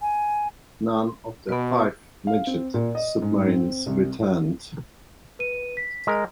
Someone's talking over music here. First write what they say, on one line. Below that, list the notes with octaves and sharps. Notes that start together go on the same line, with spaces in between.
None of the five midget submarines returned.
G#5
B2 B3 B4
F5
C4
A#2
D#5
G#2
C4
C2
B4 D#7
B6
G#3 A#4